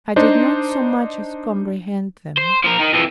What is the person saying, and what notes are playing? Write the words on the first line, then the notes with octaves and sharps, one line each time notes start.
I did not so much as comprehend them.
D4 D#4 C5
C5
F3 A#4
D#3
F2 E3